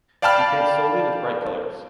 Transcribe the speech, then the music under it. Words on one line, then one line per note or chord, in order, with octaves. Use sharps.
She paints solely with bright colors.
D5 F5 G5 A5 B5 F6